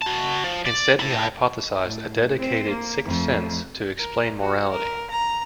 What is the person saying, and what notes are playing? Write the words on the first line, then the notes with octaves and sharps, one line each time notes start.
Instead, he hypothesised a dedicated "sixth sense" to explain morality.
F#4 A5
F3
D5
E4 A5
A2
C4 C5
A#3
F2 A3
A#4
F#4
A#4
A#5